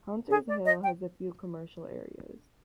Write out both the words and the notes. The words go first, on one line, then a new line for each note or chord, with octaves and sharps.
Hunters Hill has a few commercial areas.
G#4
D5
D#5
G5